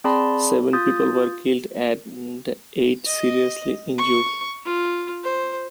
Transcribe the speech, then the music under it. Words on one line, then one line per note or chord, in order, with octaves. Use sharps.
Seven people were killed and eight seriously injured.
C4 G#4 D5 A5 B5 C6
F4 D#6 G6 A6
D#5
C#6
F4
C5